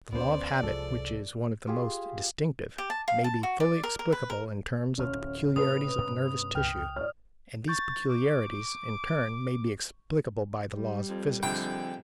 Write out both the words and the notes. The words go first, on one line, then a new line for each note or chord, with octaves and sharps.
The law of habit, which is one of the most distinctive, may be fully explicable in terms of the peculiarities of nervous tissue, and these peculiarities, in turn, may be explicable by the laws of physics.
D2 B3 C#4 C5 D5
C2 F3 G#3 A4
F4 G4 G#4
G4
A5
F5
A5
F#4
D5
A#4
A#4
B4
A#4
D1 C3 C#4 C#5 F6
A2 C4 B4 D#6 F7
G2 C3 B3
C#2 G5 F6
C#5 D5 F6
C#6 G6 A6
D6
G3
F2
A#1 F2 D3 G5